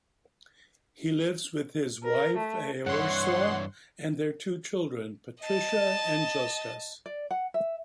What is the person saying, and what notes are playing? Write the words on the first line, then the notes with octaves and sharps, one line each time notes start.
He lives with his wife, Aorsra, and their two children, Patricia and Jostas.
A#4
A3
G2 E3 C#5 F#5 C6
D#5 A5
D5
F#5
E5